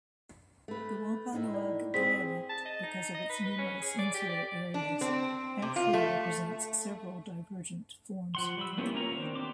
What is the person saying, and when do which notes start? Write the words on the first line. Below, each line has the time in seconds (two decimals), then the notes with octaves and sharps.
The Wampanoag dialect, because of its numerous insular areas, actually represents several divergent forms.
0.68 A3 B4
1.33 A2 D#4 E4
1.54 D5
1.94 C4 G#4 C5 B6
2.49 A5
2.65 D#5
2.83 D#4
3.15 D#5
3.30 B4
3.45 B4
3.58 C#4
3.82 G#4
3.99 D5
4.14 G4
4.29 D5
4.74 D4
5.01 C4
5.62 C3
5.76 F4
5.93 A3
8.35 F3 F#5 C6
8.57 G3 B5 E6
8.78 A#3 B3 C#4 E4 G4
8.94 A#3 C#4 F4 C#5 A#5
9.11 D#3 C4 D4
9.35 B3 G4 C6 D6